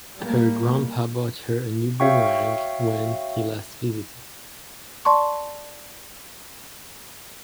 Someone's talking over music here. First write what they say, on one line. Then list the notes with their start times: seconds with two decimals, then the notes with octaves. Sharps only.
Her grandpa bought her a new boomerang when he last visited.
0.16 G3 A#3
2.00 F#4 C#5 E5 F5 G5 C#6
5.05 D5 A5 C6 C#6